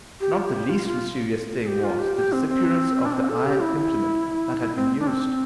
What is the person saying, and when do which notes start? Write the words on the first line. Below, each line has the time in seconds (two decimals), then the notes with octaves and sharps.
Not the least mysterious thing was the disappearance of the iron implement that had been used.
0.21 G4
0.33 F4
0.43 G4
0.69 F4
0.86 F4
1.63 A4
1.67 G4
1.84 F4
1.99 G4
2.16 G4
2.32 C4
2.49 C4
3.05 D4
3.13 C4
3.29 A4
3.46 G4
3.62 E4
4.60 E4
4.75 C4
4.99 D4
5.07 C4